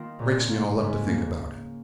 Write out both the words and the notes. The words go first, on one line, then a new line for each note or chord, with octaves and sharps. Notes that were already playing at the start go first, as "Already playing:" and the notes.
It breaks me all up to think about it.
Already playing: D#3 A#3 F4 A#4
A#2 C#3
A#3 F4
G#2 C#3
A#3